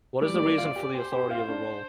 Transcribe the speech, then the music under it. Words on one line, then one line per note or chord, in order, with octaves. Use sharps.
What is the reason for the authority of her role?
G3 D5
G3
A#3
F4
G4
G4 C5
G4
F4
D4